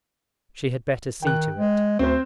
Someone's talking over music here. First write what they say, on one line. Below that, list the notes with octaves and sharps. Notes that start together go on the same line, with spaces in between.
She had better see to it.
D#3 G5 F#6
G#3
D2 C4 C5